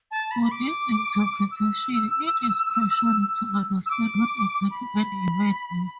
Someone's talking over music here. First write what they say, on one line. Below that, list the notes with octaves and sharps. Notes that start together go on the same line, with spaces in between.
For this interpretation, it is crucial to understand what exactly an event is.
A5
B5
B5
D6
E6
E6
D6
B5